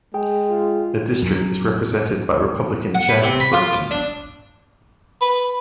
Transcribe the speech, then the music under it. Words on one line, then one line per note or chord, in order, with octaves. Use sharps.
The district is represented by Republican Jack Bergman.
G#3 G#4 G5
F4
F#2
F#5
B4
C3
B5
F4
D6
D4
B4